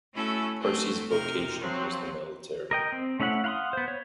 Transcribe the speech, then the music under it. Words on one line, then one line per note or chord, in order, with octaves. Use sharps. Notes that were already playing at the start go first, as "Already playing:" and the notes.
Percy's vocation was the military.
A3 C#4 E4 F#4 A4
F#3 A3 C4 C#4
C3 D#4 A#4 F6
F3 F#3 C4
A#4 D#5 G5
C4
A3 C#4 E4 E5 F#5
F5 F#5 B5 C6 D#6
B3 C5
C#5